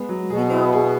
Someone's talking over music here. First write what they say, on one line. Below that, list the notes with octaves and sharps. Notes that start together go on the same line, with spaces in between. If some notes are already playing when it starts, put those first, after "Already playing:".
You know
Already playing: G#3 B3
F#3
B2 G#4
E4
G#4